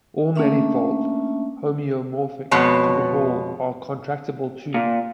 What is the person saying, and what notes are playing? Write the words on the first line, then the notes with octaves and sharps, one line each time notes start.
All manifolds homeomorphic to the ball are contractible, too.
A3 A#3 C#4 D4 E5
F2 B2 G#3 B3 C#5 A5
A#2